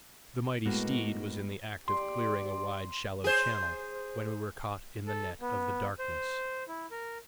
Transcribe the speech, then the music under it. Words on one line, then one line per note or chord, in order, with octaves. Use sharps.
The mighty steed was in the act of clearing a wide shallow channel when we were caught in the net of the darkness.
A2 G#3 A#3 B3 F#4
G4 D5 C6
G#4 C5
A4
B3
C5
E4
A#4